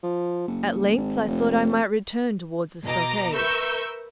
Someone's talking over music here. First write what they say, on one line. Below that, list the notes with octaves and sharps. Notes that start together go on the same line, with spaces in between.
At length I thought I might return towards the stockade.
F3
F#1
G#1
F1
B2 D#5 A#5 D6
A#4 B4 E5 C#6 E6 G6